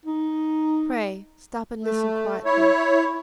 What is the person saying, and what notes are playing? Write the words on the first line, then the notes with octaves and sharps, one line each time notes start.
Pray, stop and listen quietly.
D#4
A3
E4 C#5